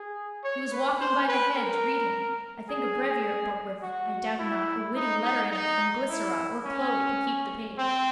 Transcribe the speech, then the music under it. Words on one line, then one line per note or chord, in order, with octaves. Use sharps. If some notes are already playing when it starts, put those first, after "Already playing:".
He was walking by the hedge, reading, I think a brevier book with, I doubt not, a witty letter in it from Glycera or Chloe to keep the page.
Already playing: G#4
C#5
B4
C5
B4
A#4
G#4
F#4
E4
D#4
D#4
D#4
E4
C#4
C4